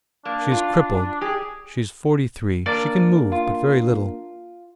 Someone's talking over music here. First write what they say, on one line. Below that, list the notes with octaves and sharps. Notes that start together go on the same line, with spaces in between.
She is crippled, she is forty-three; she can move, but very little.
A#3 D4
F4
G4 G#4
A#3 D4 A#4 D5
F4